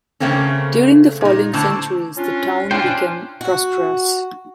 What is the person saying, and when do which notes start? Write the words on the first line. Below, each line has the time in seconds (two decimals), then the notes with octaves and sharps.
During the following centuries, the town became prosperous.
0.20 C#3 A3 A#3 C4 C#4
1.21 A#2 D#4
1.53 A2 D3 C5 A5
2.17 C#4 D4 F4
2.71 C#4 D4 F4 C5 G5
3.41 F#4